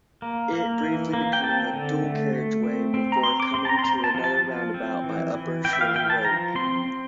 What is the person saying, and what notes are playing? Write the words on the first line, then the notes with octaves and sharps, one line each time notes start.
It briefly becoming a dual-carriageway before coming to another roundabout by Upper Shirley Road.
A#3
A#3
E3
A#3
G5
C4 A5
D3
A3
A3
C4
C4
A#5
C4 C6
D6
C4 C6
A5
A#5
C6
C4 A#5
A5
F3
A5
F3
C4
E3
E3
E3 G5
E5
F5
E3 G5
A5
F3 A#5
C4 C6
C4